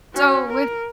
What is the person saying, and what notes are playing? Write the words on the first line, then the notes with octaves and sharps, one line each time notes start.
So with
C#4 F#4
A#4